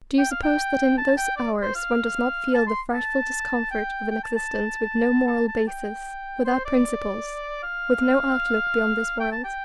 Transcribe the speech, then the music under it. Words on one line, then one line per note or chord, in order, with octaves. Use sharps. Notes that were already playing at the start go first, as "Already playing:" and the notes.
Do you suppose that in those hours one does not feel the frightful discomfort of an existence with no moral basis, without principles, with no outlook beyond this world?
G5
F5
G5
A5
G5
D5
C5
F5
A5
C6
A5
G5
G5
A5
A5
A5
A5
G5
C5
D5
F5
G5
A5
G5